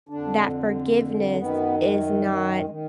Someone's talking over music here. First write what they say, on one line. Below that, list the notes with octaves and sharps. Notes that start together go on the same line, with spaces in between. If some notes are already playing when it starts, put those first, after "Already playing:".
that forgiveness is not
F2 D3 D4
F#2 D#3 B3
G#3
D#3